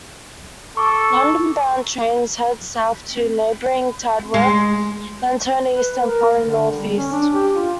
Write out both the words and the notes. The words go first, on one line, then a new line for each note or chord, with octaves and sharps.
London-bound trains head south to neighbouring Tadworth, then turn east and finally north-east.
A4 C#6 D6
G#3
B4
A#4
D3
G3
C#4
D4
G4
F4